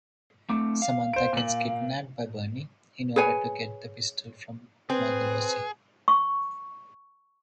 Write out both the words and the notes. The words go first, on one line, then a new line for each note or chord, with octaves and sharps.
Samantha gets kidnapped by Bernie in order to get the pistol from Margolese.
A3 C4 D6
F5
C5 D7
A#2 F#7
G#4 B4 C#5 G#5
C4 G#4 B4
C#6